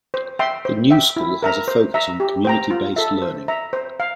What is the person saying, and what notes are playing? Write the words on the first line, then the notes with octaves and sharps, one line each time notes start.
The New School has a focus on community-based learning.
C5
E5 G5 C6
C5
E5 G5
E4
A#4 E5 A#5
C5
E5 A#5
G4
C5 G5 A#5
F4
A4 E5
C5
E5 A#5
C5
F5